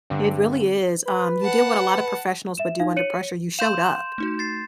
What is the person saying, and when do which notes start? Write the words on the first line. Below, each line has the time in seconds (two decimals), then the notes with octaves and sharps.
It really is, um you did what a lotta professionals would do under pressure, you showed up.
0.10 G2 D3 C4
1.05 B4
1.41 F#5 A5
2.58 E5 E7
2.80 D#4 F5
2.96 C#5 C#7 D#7 F#7
3.59 F5 C6 G6 E7
4.18 A3 D#4 F#4
4.39 A6 C7